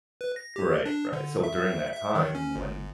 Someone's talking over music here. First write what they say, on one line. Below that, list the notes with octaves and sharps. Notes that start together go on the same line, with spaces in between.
Right, right. So, during that time when
B4
A#6
G4
D4
D3
E5
E5
D#3
C#4
G1